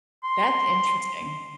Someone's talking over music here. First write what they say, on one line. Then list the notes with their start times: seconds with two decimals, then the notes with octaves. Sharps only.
That's interesting.
0.24 C6